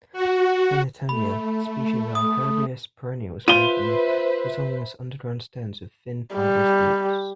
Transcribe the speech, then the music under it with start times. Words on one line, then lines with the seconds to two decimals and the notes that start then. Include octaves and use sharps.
"Clintonia" species are herbaceous perennials growing from rhizomatous underground stems with thin, fibrous roots.
0.13 F#4
1.09 A3 B5
2.15 D#6
3.48 F4 B4 C5 E5 D#7 G7
6.35 G3